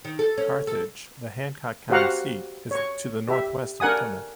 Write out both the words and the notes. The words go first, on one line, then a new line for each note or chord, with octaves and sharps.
Carthage, the Hancock County seat, is to the northwest of Plymouth.
D#3
A4
C#4
A4
F#4 G4 C5 F5 F#5 A#5
C#5 C#6
G4 E5
D4 A#4 F#5 G#5 D#6